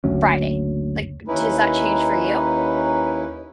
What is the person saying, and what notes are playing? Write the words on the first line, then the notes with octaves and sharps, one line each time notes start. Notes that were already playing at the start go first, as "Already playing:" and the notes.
Friday." Like, does that change for you?
F#1 D2 F#3 C#4
D#2 C#4 D#4 E4 B4